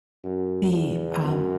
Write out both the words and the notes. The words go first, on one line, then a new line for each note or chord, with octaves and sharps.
the um
F#2
E2
F#2